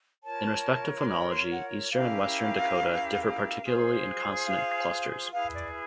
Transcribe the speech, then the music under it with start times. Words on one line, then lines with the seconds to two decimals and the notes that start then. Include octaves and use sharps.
In respect to phonology Eastern and Western Dakota differ particularly in consonant clusters.
0.23 F4 A#4 C#5 A5
0.98 C6
1.08 B5
1.30 C6
1.51 F#5
1.92 C#4 E4 G4 A#4 F5
3.62 F4 G#4 C5
4.46 F5
5.31 E4 G#4 B4 F5
5.53 D5